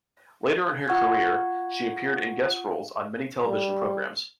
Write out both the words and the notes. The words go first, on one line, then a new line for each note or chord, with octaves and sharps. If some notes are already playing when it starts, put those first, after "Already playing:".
Later in her career, she appeared in guest roles on many television programs.
F4 F#5 C#6 G#6
G3